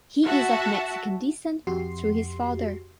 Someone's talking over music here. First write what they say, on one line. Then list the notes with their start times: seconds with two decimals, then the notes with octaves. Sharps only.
He is of Mexican descent through his father.
0.23 F#4 E5 F#5 A5
1.67 F2 F#4 G4 C6 C7